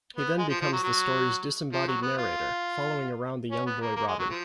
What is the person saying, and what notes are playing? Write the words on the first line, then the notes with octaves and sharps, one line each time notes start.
He then becomes the story's disembodied narrator, following around the young boy Robin.
B3
G#3
F3
F3
F#3
F#3
F3
F#3
B3
F4
C#4
B3
A#3
A#3
G#3
F#3
F3